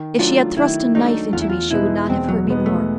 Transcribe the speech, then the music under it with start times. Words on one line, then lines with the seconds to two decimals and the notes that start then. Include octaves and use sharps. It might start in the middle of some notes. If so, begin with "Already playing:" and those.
If she had thrust a knife into me she would not have hurt me more.
Already playing: D#3
0.19 F#3 A3 D4 F4
0.57 D#3 E4
0.95 F#3 A3 D4 D#4
1.33 E2 F4
1.41 E4
1.50 F4
1.71 B2 G#3 B3 D#4 E4
2.09 E2 C4
2.28 F#3
2.47 B2 G#3 B3 D#4
2.66 A3